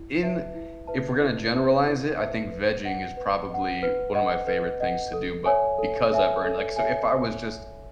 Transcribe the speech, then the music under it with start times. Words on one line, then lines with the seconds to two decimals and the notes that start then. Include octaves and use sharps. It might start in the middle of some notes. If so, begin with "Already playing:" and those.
in, if we're gonna generalize it, I think vegging is probably one of my favorite things to do, but because I've earned, like so if I was just
Already playing: E4
0.22 B4 E5 A5
0.54 E4
0.87 B4 E5 A5
1.21 E4
1.53 B4 E5 A5
1.86 E4
2.19 B4 E5 A5
2.52 B4
2.83 D#5 F#5
3.17 B4
3.49 D#5
3.54 F#5
3.83 B4
4.15 D#5 F#5
4.47 B4
4.80 D#5 F#5
5.13 A4
5.46 C#5 E5 G#5
5.79 A4
6.11 C#5 E5 G#5
6.44 A4
6.76 C#5 E5 G#5